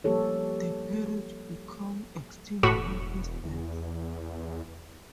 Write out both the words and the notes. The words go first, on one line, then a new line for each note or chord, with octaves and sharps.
The peerage became extinct on his death.
F3 G3 A#3 G4 A4 C#5
E1 A2 F#4 B6
E2